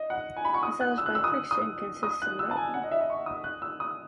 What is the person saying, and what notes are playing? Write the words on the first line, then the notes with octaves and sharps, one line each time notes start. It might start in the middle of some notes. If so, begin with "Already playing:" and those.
Massage by friction consists in rubbing.
Already playing: D#5
F#5
G#5
B5
C#6
D#6
F#6
E6
F#6
E6
D#6
D#6
D#6
F#6
E6
A5
G#5
F#5
D#5
E5
D#5
C#6
D#6
F#6
E6
D#6